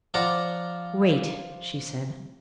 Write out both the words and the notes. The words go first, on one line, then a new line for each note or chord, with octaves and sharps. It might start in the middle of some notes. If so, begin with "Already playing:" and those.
"Wait," she said.
F3 F4 D5 F#5 A#5 D6